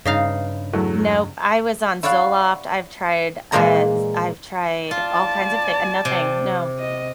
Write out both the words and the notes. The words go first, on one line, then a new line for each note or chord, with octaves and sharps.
Nope, I was on Zoloft. I've tried, I s I've tried all kinds of thi ah, nothing, no.
G2 C#3 D#4 F5
E2 F#3 A3
E4 C#5 D5 F5 F#5
A#2 E3 G#3 A#3 D5 A#5
F4 D5 A5
C3
D#5